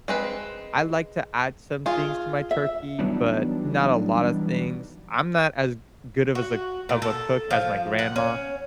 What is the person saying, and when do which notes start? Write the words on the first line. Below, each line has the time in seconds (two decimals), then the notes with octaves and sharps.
I like to add some things to my turkey, but not a lot of things, I'm not as good of as a of a cook as my grandma,
0.08 G#3 C4 B4
1.86 F4 G#4
2.51 E5
2.98 E3 F#3 G3 B3 D4 D#4
6.35 F#4
6.89 A#2
7.02 A4
7.51 F3
7.99 F#5
8.16 C#4